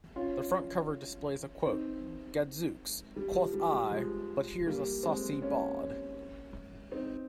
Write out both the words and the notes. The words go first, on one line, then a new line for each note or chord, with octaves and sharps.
The front cover displays a quote: "'Gadzooks,' quoth I, 'but here's a saucy bawd!'".
C#4 F4
C4 D#4
G3
F3
G3
G3
F3 G#3
G3 A#3
G#3 C4
A#3 C#4
C4 D#4